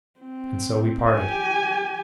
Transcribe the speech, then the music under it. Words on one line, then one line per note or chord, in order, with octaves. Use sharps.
And so we parted.
C4
G4 G#5